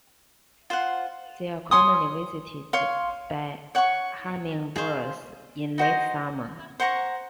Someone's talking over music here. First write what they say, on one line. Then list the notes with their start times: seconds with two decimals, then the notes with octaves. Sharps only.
They are commonly visited by hummingbirds in late summer.
0.70 F4 C5 F#5
1.71 C#5 G#5 C6 D#6
2.73 C#5 F5 C6
3.75 C#5 F#5 C#6
4.76 G#4 C5 F5
5.78 D#4 F#4 C5
6.80 C5 F#5 A#5 C#6